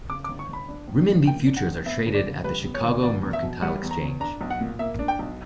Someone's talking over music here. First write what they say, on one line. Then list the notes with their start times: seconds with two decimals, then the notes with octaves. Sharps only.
Renminbi futures are traded at the Chicago Mercantile Exchange.
0.09 C#3 D6
0.24 D6
0.28 G1
0.39 C#6
0.49 G1 B5
0.68 D4
0.87 A#1
1.07 A#2
1.27 A#3 G5
1.46 D4
1.57 F#5
1.66 A#1
1.86 B3 E5
2.06 D2
2.15 D5
2.26 C#3
2.44 G3 B4
2.64 B3
2.74 C#5
2.84 D2
3.03 E2 D5
3.23 E2
3.33 E5
3.43 B2
3.62 G3 F#5
3.82 E2
3.91 A#5
4.02 E2
4.20 D4 A#5
4.41 B1
4.50 F#5
4.61 A#2
4.79 A#3 E5
4.99 D4
5.08 G5
5.19 B1